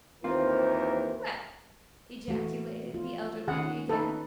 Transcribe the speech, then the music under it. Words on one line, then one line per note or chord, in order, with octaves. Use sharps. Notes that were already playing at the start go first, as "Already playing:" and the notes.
"Well!" ejaculated the elder lady again.
D#2 E3 A#3 C4 F4 A#4 C5
E3 A3 F#4
F4
D#3 C#4 G#4 F#5
D#4 A4 B4